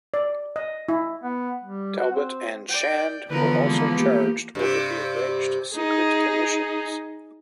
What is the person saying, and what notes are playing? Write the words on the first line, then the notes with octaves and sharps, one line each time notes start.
Talbot and Shand were also charged over the alleged secret commissions.
D5
D#5
E4
B3
G3
F#4
C4
D5 G5
D3 E3 F3 B3 A#4 B4
G#3 A#3
A#3 G4
G2 C3
D#4 G#4